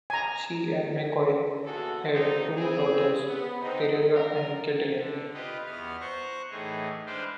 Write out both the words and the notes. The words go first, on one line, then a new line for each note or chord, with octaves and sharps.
She and McCoy had two daughters, Theresa and Kaitlin.
G#5 A#5
E2 A#2 E3 F#4 G#4 A4
C#3 F#3 A3 C4 D4 D#4
C4 E4 G#4
B3
D3 C4 D#4
A#4
D3
F4 G4 B4 D#5
E2 B3 F6
C5 A#5 C#6 F#6
A2 E3 D#4 G#4
G#3 D4 B4 C5 F5 G5